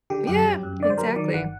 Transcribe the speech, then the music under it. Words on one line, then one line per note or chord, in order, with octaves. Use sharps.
Yeah. Exactly.
D3 G4
F#2 G4
F#3
F#2
D3 D5
C5
F#3 A#4
D#3 D5
G1 F#5